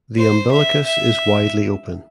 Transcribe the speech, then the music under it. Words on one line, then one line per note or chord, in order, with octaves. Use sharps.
The umbilicus is widely open.
C5
E5
E5